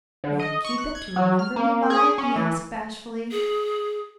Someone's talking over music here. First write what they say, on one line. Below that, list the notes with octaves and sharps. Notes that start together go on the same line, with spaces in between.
"Will you keep it to remember me by?" he asked, bashfully.
D3
D#5
C#6
F#6
G#6
F#3
F6
A#3
G#4
C#4
E3
G#4